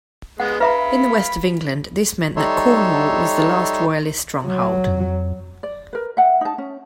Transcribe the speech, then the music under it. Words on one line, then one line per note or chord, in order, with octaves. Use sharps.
In the West of England this meant that Cornwall was the last Royalist stronghold.
G#3 B3 F#5
B4 E5 F5 A#5 B5
G3 D#4 A4 C#5 E5 C6
F#3
F2
D5
A#4 B4
E5 F#5 G5
D#4 A5
C#4